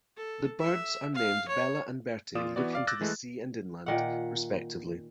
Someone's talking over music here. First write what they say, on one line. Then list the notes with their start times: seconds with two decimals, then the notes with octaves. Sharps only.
The birds are named Bella and Bertie, looking to the sea and inland, respectively.
0.16 A4
0.59 E5
1.14 F5
1.48 C#5
2.35 A#2 F4 D5 D#6 E7
2.56 E3 B3 F#4 D5
2.73 D5 F5 D6
2.87 D6 E6 F#6 G6 A6 A#6
3.01 E3 G#3 A3
3.86 A#2 D#3 F#5